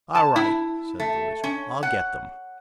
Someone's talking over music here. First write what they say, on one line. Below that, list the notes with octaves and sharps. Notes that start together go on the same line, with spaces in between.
"All right," said the Lizard; "I'll get them."
A5
E4
A3
C#4
F#5